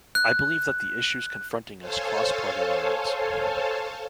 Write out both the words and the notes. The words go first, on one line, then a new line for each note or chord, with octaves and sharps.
I believe that the issues confronting us cross party lines.
F#6
A4 C5 C#5 F5 G#5 A5